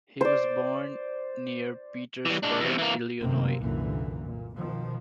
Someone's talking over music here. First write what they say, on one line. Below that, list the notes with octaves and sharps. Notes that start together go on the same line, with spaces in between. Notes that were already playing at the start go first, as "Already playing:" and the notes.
He was born near Petersburg, Illinois.
C5 D5
E3 G3
G#3 D4
E2 C3
E3 A#3
F1 F#2 C3 D#3 A#3 C4
C2 F#2 A#2 D3 E3 A#3
A#2
B2 D#3 F3